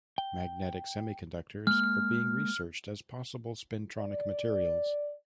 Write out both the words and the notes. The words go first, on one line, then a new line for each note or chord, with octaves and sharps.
Magnetic semiconductors are being researched as possible spintronic materials.
G5
G#3 A#3 F6
D5